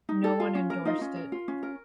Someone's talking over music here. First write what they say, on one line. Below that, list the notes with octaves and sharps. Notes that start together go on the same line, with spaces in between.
No one endorsed it.
D#4
A4
F4
C#4
A#4
D#4 F4 D#5
C#4
A#4
F4
C#4
A#4